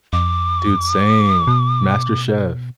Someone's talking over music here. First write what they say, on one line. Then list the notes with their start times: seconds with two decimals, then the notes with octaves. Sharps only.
Dude, same. MasterChef.
0.13 F2 D6
1.47 B2